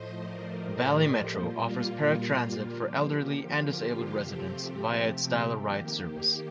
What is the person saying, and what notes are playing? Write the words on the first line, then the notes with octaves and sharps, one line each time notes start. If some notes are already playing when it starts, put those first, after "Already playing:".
Valley Metro offers paratransit for elderly and disabled residents via its Dial-a-Ride service.
Already playing: A2 F3 A3 C5 D#5
A#4 D5
G4
G4
A#2 G3 A#3 F4
D3 F3 A#3 G4
G4
F4
G4
C3 F3 A3 C4
D#3 A#3 G4